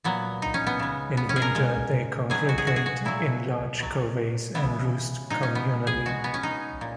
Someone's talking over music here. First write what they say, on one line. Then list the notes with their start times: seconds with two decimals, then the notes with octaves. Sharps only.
In winter they congregate in large coveys and roost communally.
0.04 A#2 F#3 B3
0.42 D#4
0.54 C#4
0.67 B3
0.79 C#3 G#3
1.17 B3
1.29 C#4
1.36 G#4
1.42 A#4
1.55 A#2 G#3
2.30 B2 F#3 G#4
2.49 F#4
2.58 G#4
2.67 F#4
2.76 G#4
2.86 F#4
3.05 A#2 F#3 E4
3.80 B2 F#3
4.55 C#3 E3 G#3 B3
5.30 A#2 G#3 D#4
5.43 C#4
5.55 B3
5.87 G#4
6.06 B2 G#3 F#4
6.24 B3
6.34 C#4
6.43 D#4
6.81 A#2